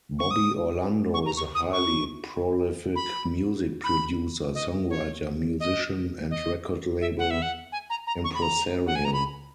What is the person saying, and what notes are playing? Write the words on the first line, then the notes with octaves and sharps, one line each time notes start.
Bobby Orlando is a highly prolific music producer, songwriter, musician, and record label impresario.
C#6
D#6
C#6
A#5
C#6
D#6
C#6
B5
B5
D#5
C#5
D#5
D#5
E5
F#5
E5
F#5
G#5
A#5
A#5
C#6
B5
A#5
F#5
G#5
A#5
B5